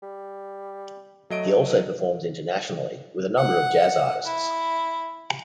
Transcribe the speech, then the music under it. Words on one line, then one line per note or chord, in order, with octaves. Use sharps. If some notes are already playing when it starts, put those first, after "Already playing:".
He also performs internationally with a number of Jazz artists.
G3
F#3 A3 D#5 D7
F#5
E4